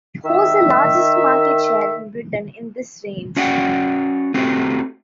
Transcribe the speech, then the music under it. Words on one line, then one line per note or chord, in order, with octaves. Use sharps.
It holds the largest market share in Britain in this range.
D#3 E5
C#4 F#4 D5 F#5 G5
A3 C4 F#4 G4